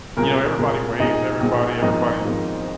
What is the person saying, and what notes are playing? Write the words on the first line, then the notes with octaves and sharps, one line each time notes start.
you know, everybody waves to everybody, everybody's
C2 A#2 G#3 A#3 A#4
C2 A#2 G#3
A#1 A#2 G#3 D#4 D#5
A#1 A#2 G#3
G#1 G#2 F3 A#3 D#4 D#5
G#1 G#2 F3 A#3